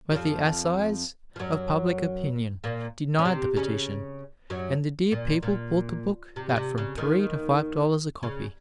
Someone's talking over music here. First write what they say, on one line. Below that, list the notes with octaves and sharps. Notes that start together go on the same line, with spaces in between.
But the Assize of Public Opinion denied the petition, and the dear people bought the book at from three to five dollars a copy.
F#3
F2 F3
F3
F#2 F#3
A#2 A#3
C#4
C3 C4
C#3 C#4
F#2 F#3
A#2
A#2
C3
C#3
C3
C#3
D#2 D#3
C#3